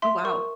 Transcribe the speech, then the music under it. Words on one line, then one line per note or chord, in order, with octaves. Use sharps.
Oh, wow.
E5 C6
A#4 C#6